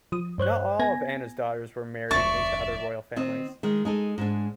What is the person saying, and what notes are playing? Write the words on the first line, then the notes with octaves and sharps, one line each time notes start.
Not all of Anna's daughters were married into other royal families.
F3 D#6
G2 C5 C#5 F#6
B3 B4 G#5 G#6 A#6
F1 D2 D5 E5 A5 C#6
D#3 C4 D#5
D#3 G#3
G#3 D#4 A4
G#2 G#3 D4